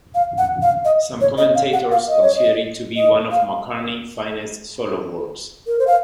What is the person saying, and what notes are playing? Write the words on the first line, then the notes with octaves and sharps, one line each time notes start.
Some commentators consider it to be one of McCartney's finest solo works.
F5
F#5
F5
D#5
C#5
D#5
F5
F#5
F5
D#5
C#5
D#5
D#5
F5
A#4
C5
F5